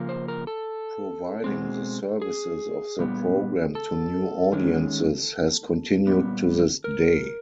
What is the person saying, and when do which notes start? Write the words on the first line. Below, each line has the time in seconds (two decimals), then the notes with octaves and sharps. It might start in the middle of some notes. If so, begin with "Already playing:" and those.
Providing the services of the program to new audiences has continued to this day.
Already playing: C#3 F3 A#3
0.09 C5
0.28 A#4
0.47 A4
1.44 B2 G#3 C4
2.22 G#4
2.99 A#2 G3 B3
3.75 A4
4.53 D#3 G#3 C#4
6.07 A#2 G3 B3
6.84 A#4